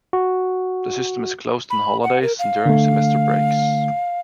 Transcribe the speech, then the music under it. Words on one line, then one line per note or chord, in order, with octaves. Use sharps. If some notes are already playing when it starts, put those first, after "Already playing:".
The system is closed on holidays and during semester breaks.
F#4
B5
F#5
A#4
F5
D3 A3